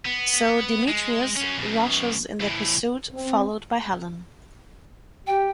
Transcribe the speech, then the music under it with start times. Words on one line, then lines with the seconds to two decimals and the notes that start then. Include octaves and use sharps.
So Demetrius rushes in their pursuit , followed by Helen.
0.05 B3
0.88 G#3
1.36 F#2 C#4
1.58 F#2 B2
2.40 E2 A2
3.14 C4
5.27 G4 G5